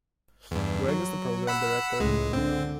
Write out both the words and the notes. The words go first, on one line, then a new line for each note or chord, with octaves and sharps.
Greig is the Program Director.
E2 G2
F#3
F#5 B5 E6
C#2 A2 G#3
D3 C4